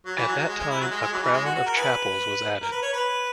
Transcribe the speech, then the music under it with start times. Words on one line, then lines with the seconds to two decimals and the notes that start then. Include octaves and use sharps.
At that time, a crown of chapels was added.
0.06 F#3
0.17 E3
0.27 F#3
0.38 F#3
0.48 G#3
0.59 G#3
0.70 E4
0.81 F#3
0.90 G#3
1.01 G#3
1.12 F#3
1.23 E3
1.33 G#3
1.45 F#4
1.55 F#4
1.66 A#4
1.76 E4 G#4 B4
2.62 A#4
2.71 B4
2.82 C#5
2.93 B4